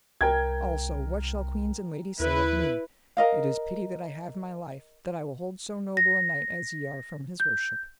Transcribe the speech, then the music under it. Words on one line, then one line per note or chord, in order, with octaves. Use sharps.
Also what shall queens and ladies say of me? It is pity that I have my life, that I will hold so noble a knight as ye are from his worship.
C2 A#4 G5 G#6
D#2 E4 B4
A#4 D#5 F5
A#6
G6